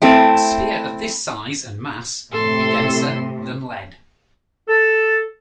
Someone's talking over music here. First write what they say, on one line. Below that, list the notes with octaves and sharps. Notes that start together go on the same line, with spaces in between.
A sphere of this size and mass would be denser than lead.
A3 C4 E4
A2 C3 A4 C6
A4